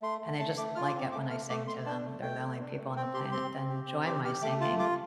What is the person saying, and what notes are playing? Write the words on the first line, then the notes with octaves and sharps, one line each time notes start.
and they just like it when I sing to them, they're the only people on the planet that enjoy my singing
A3 C6
A3
A3 A5
A3 D6
F4 F6
D6
C4
D6
A3 D6
A3 F6
A3 D6
A3 C6
D4 A5
A3
A3 G5
A3
D4
A3
C4 G5
G4 C6
C4 C6
C4
G4
C4
G4 D6
G4 F6
A3 D6
F4 A5
F4 D6